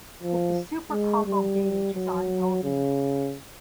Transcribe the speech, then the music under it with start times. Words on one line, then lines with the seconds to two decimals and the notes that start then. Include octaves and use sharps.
If the Super Combo gauge is on Lv.
0.23 F3
0.91 G#3
1.26 G3
1.95 F#3
2.64 C#3